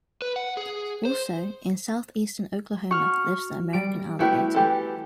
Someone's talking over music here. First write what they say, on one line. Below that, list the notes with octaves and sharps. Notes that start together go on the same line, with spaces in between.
Also, in southeastern Oklahoma lives the American alligator.
B4
F#5
G#4
C5
F#4 C#6 F6
G3 D7
A3 B3 E4 F#4 G4 G5
E3 G4 A4